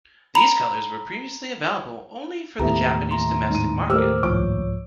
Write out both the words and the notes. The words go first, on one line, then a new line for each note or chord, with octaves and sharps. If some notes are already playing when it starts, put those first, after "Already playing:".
These colours were previously available only for the Japanese domestic market.
A#5 B5
D#2 A2 A3 B3 G4 A#5
A#5 C6
G#2 D#7
A3 G4 A#4 C5 D6 E6 F6
C2 G#2 F3 C#5 D6